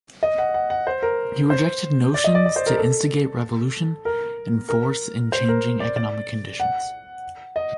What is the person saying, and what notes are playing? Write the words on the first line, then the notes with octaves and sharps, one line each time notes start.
He rejected notions to instigate revolution and force in changing economic conditions.
D#5
F#5
F#5
F#5
C5
A#4
C5
D5
D#5
D5
D5
C5
A#4
A4
A#4
A#4
C5
A#4
D5
D5
F#5
D#5